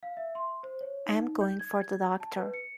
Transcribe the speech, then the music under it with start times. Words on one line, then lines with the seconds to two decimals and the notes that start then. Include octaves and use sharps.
I'm going for the doctor.
0.03 F5
0.17 E5
0.35 C6
0.63 C5
0.81 C#5
1.06 D#4
1.41 G6
1.59 G#6
1.81 G#6
2.20 A5
2.37 B4
2.54 C#7